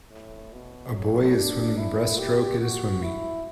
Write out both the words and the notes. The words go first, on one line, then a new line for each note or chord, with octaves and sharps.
A boy is swimming breaststroke at a swim meet.
A2
B2
F#3
D4
E4
G4
F#4
E4